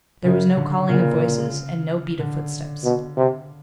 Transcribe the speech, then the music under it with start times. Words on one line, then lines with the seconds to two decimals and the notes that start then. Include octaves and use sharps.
There was no calling of voices and no beat of footsteps.
0.24 F#2 C#3
0.57 D3
0.89 A#2 C#3
2.19 D3
2.84 B2
3.17 C3